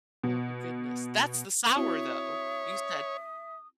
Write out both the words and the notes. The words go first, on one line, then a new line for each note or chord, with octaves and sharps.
Oh, my goodness, that's the sour, though! You said,
B2
C4 E4 F#4 C#5 E5 D#6